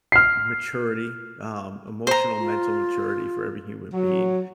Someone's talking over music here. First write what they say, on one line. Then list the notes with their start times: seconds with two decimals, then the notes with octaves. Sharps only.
maturity, um, emotional mental maturity for every human being,
0.12 F6 C7
2.07 C5 A#5
2.38 F4
3.93 F#3